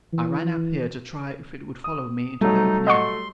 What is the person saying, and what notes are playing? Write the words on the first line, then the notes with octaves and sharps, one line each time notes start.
I ran up here to try if it would follow me into the open air.
E3
D#6
F#3 G3 A3 D#4
D#5 F#5 C6 C#6